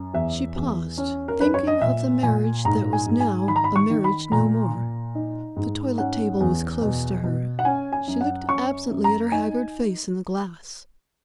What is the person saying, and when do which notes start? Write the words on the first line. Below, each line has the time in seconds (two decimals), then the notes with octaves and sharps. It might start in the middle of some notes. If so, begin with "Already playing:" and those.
She paused, thinking of the marriage that was now a marriage no more. The toilet-table was close to her; she looked absently at her haggard face in the glass.
Already playing: F#2
0.14 E2 E5
0.56 E2
0.98 C#4
1.28 A#4
1.40 F#2 B4
1.54 C#5
1.67 D#5
1.81 A#2 E5
2.23 A#2 G#5
2.65 G#2 A#5
2.93 G#5
3.06 G#2
3.20 G#5
3.48 D#3 B5
3.56 A#5
3.64 B5
3.76 C#6
3.89 D#3
4.04 B5
4.32 A#2 A#5
4.73 A#2
5.15 D#4
5.56 G#2
5.98 C#4 F#5
6.40 E2
6.82 B2
7.24 B2
7.59 F#5
7.65 C#4 G#5
7.92 G#5
8.07 F#2
8.21 F#5
8.49 C#4 C#6
8.90 F#2
9.04 A#5
9.32 D#4 G#5